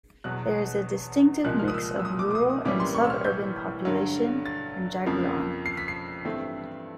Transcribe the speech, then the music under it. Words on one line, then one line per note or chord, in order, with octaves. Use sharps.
There is a distinctive mix of rural and sub-urban population in Jagraon.
E2 B2 F#3 F#6
C2 A#2 F3 G#3 F#6
F6
D#6
E6
E6
D#6
D6
D6
D#6
D#6
A2 E3 G3 A#3 C#4 D6
C6
C#6
E6
F6
G6
G2 D3 F#3
A6
F2 C#3 F3 A#3
C7
B6
C7
G2 E3 A3 C4